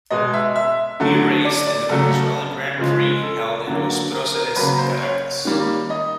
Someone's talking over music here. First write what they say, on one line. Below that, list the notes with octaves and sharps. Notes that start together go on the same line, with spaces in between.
He raced in the Venezuelan Grand Prix held in Los Proceres, Caracas.
B2 G#3 D#5
E5
E5
D3 F#3 A3
D5
D5
C#3 F#3 A3 A4
C#3 F3 G#3
A4
D3 F#3 A#3
A#4
A#4
C#3 F#3 A#3 B4
C5
C#5
D#3 G3 A#3
D#5